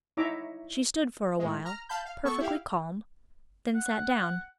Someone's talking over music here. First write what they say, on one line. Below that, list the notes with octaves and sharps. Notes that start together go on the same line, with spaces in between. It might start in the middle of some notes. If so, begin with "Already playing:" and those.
She stood for a while, perfectly calm, then sat down.
D#4 E4 C#5 E5 A#5 D6
A2 G#3
A#5 F6
F5 A5 B5 G6
F5
B3 A4 C#6
E4 G4 F5
F#5